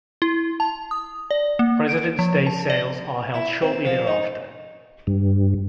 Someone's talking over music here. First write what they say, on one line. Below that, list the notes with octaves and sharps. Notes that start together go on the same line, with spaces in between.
Presidents' Day sales are held shortly thereafter.
E4
A5
D#6
D5
A#3
D7
F3
A5
D5
E4
C4
F3
D#4
G2